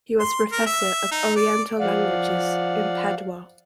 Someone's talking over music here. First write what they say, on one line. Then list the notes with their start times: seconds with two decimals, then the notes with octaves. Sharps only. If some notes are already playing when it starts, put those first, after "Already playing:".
He was professor of Oriental languages in Padua.
0.20 C6
0.52 A#4
0.67 E5
1.12 D#4
1.37 D5
1.80 F3 D5 F5 F#5